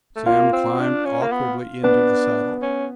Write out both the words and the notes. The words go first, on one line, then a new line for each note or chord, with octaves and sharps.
Sam climbed awkwardly into the saddle.
A3
A#3 F4 F5
C4
D4
C#4
A#3
B3
B3 D4 B4
C#4